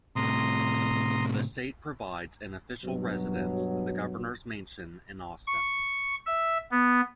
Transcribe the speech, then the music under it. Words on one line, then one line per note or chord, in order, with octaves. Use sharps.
The State provides an official residence, the Governor's Mansion in Austin.
A2 C3 A#5 C6 D#6
G2 B2 F#3
C#6
E5
B3